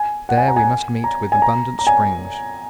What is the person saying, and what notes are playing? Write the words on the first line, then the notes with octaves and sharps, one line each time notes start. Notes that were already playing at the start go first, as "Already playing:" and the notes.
There we must meet with abundant springs.
Already playing: G#5
F#5
G#5
A#5
G#5
A#5
G#5
A#5
A#5
G#5